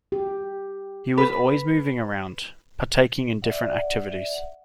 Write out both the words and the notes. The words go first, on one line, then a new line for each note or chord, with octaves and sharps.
He was always moving around, partaking in different activities.
G4
B4
D5 E5 F#5